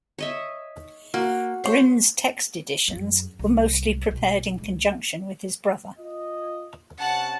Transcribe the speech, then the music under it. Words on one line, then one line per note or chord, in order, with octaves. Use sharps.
Grimm's text-editions were mostly prepared in conjunction with his brother.
C#5 D#5 E5
A#3 F#4
C5 C#5
F#2
C2
B1
C#2
F4 D#5
C3 C#4 F#5 A5